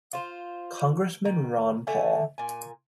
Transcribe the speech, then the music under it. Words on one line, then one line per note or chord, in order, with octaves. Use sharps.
Congressman Ron Paul.
F4 C5
D#3
D3 A3 E5 G#5
A#2 G#5